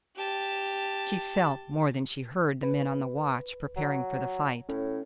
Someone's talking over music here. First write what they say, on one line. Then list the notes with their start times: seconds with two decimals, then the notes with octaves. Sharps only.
She felt, more than she heard, the men on the watch preparing for the fight.
0.16 G4 A5
2.63 B4
3.76 F#3
4.69 A2 C#4